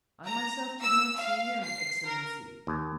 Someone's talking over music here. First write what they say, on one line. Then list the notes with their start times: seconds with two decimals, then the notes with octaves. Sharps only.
I myself did not see him, Excellency.
0.26 A#5
0.82 E6
1.18 F5
1.62 C7
2.06 A#4
2.67 D#2